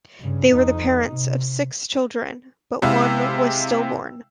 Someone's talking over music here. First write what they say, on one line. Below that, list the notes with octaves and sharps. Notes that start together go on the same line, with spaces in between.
They were the parents of six children, but one was stillborn.
G2 C#3
F2 D#4
C3
C3 G#3 E4 F5 E6